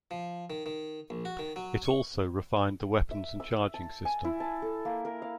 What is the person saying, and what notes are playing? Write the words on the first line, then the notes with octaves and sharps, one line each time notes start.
It also refined the weapons and charging system.
F3
D#3
D#3
A#1
F#4
D#3
F#3
C#6
E5
E6
A5
G#5
E4
A5
A4
A#3
A#4
F5